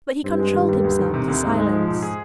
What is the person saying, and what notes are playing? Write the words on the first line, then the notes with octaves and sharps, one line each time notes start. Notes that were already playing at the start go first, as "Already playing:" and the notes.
But he controlled himself to silence.
G2 C4
G#3
D#3
D#2
D2
D#3
C3
D2
G#2 D#4
G#3
F3
G#2
G#4